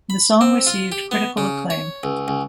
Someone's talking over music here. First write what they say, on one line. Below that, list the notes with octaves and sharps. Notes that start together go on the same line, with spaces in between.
The song received critical acclaim.
B5
C4
F4
G4
B3
C#3
C#5
C#2
C#2